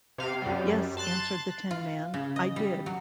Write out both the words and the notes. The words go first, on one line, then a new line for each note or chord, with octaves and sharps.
"Yes," answered the tin man; "I did".
C3 F5
F#2 G3
A5 C6 F#6 A6
F4
C#3
D#5
G3
F#3